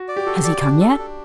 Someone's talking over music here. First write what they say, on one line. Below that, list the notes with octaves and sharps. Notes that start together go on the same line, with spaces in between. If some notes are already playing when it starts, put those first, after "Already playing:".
"Has he come yet?"
Already playing: F#4
D5
G4
F#4 A4
D5
D4
A4
D4